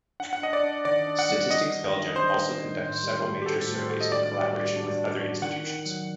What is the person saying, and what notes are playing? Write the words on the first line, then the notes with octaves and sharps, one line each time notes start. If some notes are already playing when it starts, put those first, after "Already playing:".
Statistics Belgium also conducts several major surveys in collaboration with other institutions.
D4 F#5
F#5
D4 D#5
D5
D4
D#3 D5
D4
F#5
G3
D4 D#5
D#3
D#3
D4 C5
D#3
D#3
A2
G3
F#4
G4
F#4 A4
A2
C5
F#4
D#5
D4 D5
G3
F#4
D4
D4
F#4
D#3 F#5
D#3
F#3